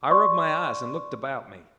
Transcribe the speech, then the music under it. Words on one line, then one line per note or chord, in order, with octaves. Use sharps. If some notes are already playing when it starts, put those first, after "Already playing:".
I rubbed my eyes and looked about me.
D5 C6 C#6